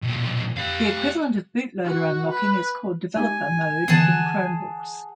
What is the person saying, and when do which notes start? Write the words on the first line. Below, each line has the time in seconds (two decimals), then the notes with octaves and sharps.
The equivalent of bootloader unlocking is called developer mode in Chromebooks.
0.03 B1 A#2
0.57 G4 F5
1.85 F#4
2.33 B4
3.15 G#3 D#4 G4 G#5
3.88 D3 E3 B3 G#4 F#5 A5